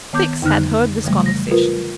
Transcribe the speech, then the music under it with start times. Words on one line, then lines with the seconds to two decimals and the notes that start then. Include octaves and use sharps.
Fix had heard this conversation.
0.13 D#3 B3 D6 G6
0.42 F2 D3 D#4 F6 F#6
1.04 C#3 E3 F#3 G3 A3
1.26 A#6
1.51 F4 A#4 B4